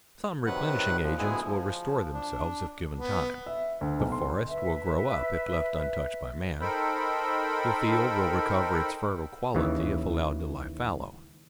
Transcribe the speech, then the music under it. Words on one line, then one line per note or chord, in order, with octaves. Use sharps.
Some replenishing agents will restore themselves if given time; the forest will grow up if left untouched by man; the field will recover its fertile quality if allowed to lie fallow.
C3 D#3 F#3 B4 F#5 F#6
A#2 F3
D2 G#3 B3 E4 G#4 G#5
F3
D4
B3
E5
D2
B1
C6
B4 E5
D#4 A4 A#4 C5 G5 B5
D#2 C#3 E3